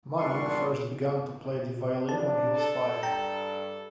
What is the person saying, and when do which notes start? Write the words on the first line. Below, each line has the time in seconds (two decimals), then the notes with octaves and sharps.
Manning first began to play the violin when he was five.
0.18 E2 A#2 G3 D4 C6 C#6
2.09 D4 A5
2.56 A4
3.03 G2 G5 A#5